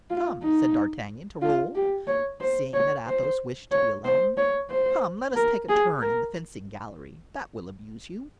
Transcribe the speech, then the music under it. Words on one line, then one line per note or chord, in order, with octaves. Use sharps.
"Come," said D'Artagnan to Raoul, seeing that Athos wished to be alone, "come, let us take a turn in the fencing gallery; that will amuse you."
F4
D#4
F4
G4
C#5
C5
C#5
C5
C#5
C5
C#5
C5
A#4
G#4
A#4